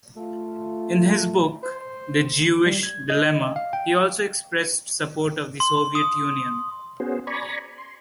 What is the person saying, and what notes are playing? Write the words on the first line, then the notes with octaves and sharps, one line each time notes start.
In his book "The Jewish Dilemma", he also expressed support of the Soviet Union.
A3 F4
C5
G3
G#6
D#5
F5
G5
C6
D#6
B3 C#4 F#4 G#4 C5
D5 G#5 A#5 B5 C#6
C6